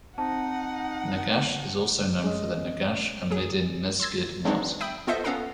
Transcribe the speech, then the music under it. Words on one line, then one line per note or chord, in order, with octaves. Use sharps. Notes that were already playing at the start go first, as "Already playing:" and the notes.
Negash is also known for the Negash Amedin Mesgid mosque.
C4 D#4 F#5 A5
G#3 C#4 D#5
F#3 G#4
C6 E6 G#6 A6
F#3 G#3 B3 C4 D4 D#4
E5 G5 B5 D#6
B3 F4 A4 C5 D#5 E5
B3 C#4 A4 F5 F#5 A#5